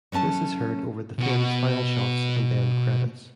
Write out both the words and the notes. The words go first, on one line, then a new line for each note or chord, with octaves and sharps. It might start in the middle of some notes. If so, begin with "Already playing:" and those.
This is heard over the film's final shots and end credits.
F#3 A3 C#4 A5
B2 F#4